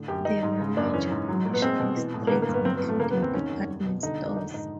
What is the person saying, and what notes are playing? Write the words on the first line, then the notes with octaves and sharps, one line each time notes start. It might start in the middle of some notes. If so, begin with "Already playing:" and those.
There were major commercial streets including department stores.
Already playing: A2 D3
F#2 G4
D#3 D#4
G#2
C#3
F#2 D4
E3 C#4
G#2
F#3
A#2
B3
G#3 C4
B2
E3
A2
A#3
D3 B3
A#3
G2
B3
F#3 C4
B3
A2
A3
C#3 A#3
B3
E2
C4
D#3 C#4
F#2
G3
B2
D3 D#4
F2
D4
D#3 D#4
G#2 D#4